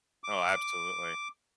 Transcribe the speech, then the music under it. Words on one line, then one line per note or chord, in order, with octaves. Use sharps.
Oh, absolutely.
D6